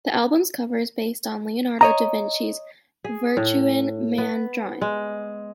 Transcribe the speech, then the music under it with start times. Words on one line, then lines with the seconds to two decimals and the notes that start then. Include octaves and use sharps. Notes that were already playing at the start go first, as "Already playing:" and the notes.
The album's cover art is based on Leonardo da Vinci's "Vitruvian Man" drawing.
1.81 C#5 D#5 A#5
3.04 G#4
3.37 A2
4.18 B3
4.81 G#3